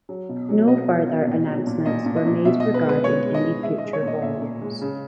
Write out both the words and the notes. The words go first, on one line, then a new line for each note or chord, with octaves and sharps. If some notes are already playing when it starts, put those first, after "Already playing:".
No further announcements were made regarding any future volumes.
F#3
B2
F#3
B2 D#5
F#3
B2
A#2
F#3
A#2
A#2 D#5
A#2
D#5
A#2
B2 E5
B2 D#5
B4
G#3 B4
G#3 C#5
G#3
D#5
G#3
G#3 E5
D#5
G#3
C#5
A#2 D#5
A#2 E5
A#2
G#3
C#3